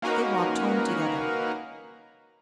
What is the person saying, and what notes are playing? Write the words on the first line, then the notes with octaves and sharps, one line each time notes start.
They walked home together.
A#3 C#4 D#4 F#4 A#4 B4